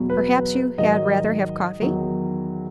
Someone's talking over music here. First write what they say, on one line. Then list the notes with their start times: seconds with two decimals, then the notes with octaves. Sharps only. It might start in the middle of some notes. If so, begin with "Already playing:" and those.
"Perhaps you had rather have coffee?"
Already playing: E2 B2 F#3
0.10 B4
0.78 G#2 D#3 F#3 D#5
1.81 E2 D#3 F#3